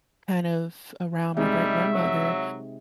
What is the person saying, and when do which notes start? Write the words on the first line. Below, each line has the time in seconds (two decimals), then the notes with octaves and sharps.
kind of around my great-grandmother,
1.37 C3 G3 G#3 D#4 E5
1.93 F#3